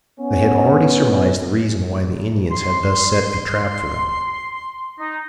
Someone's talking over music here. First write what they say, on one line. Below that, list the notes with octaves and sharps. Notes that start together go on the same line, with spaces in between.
They had already surmised the reason why the Indians had thus set a trap for them.
B3 C#4
C6
D#4